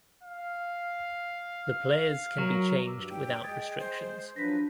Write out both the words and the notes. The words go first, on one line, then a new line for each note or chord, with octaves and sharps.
The players can be changed without restrictions.
F5
F#3 A#4
G2 D6 E6
G5
G#3 D#6 G#6 A6
C5
F3 F#3 D4 B4 A#6 B6